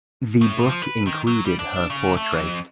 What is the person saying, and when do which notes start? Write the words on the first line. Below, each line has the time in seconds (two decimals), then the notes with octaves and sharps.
The book included her portrait.
0.41 A2
0.69 F3
0.82 B4
1.07 D#3
1.27 F#3
1.45 G3
1.59 D4
1.90 C#3
2.17 A3
2.32 F2